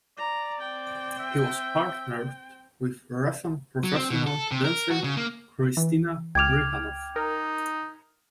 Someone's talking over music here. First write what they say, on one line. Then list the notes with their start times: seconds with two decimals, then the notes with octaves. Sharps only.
He was partnered with Russian professional dancer Kristina Rihanoff.
0.18 D5 A#5
0.61 C4 G5
1.20 E5
3.84 F#3
3.95 C4
4.11 B2
4.27 A4
4.51 C3
4.64 A#4
4.91 F#4
5.04 C#3
5.17 A#3
5.77 E3
6.35 C#2 G5 D6 F6 G#6 F7
7.16 D#4 A#4